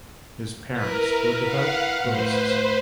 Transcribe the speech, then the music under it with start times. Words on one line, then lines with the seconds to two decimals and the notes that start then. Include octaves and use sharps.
His parents were devout Buddhists.
0.77 E4 A#4 B4
1.44 F5 F#5
2.04 A2 B4 C5